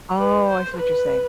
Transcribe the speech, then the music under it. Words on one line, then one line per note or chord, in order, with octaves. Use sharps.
Oh, I see what you're saying.
B4
C5
B4